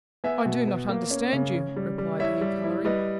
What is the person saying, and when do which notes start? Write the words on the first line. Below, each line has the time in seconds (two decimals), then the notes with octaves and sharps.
"I do not understand you," replied he, colouring.
0.24 B3 E5 G#5
0.46 B2
0.67 B3
0.89 A#3
1.11 C#4
1.33 C#3
1.55 C#4
1.76 G3
1.98 G3
2.20 E4 C#5 E5
2.41 G3
2.64 E4
2.85 G3 B4 D#5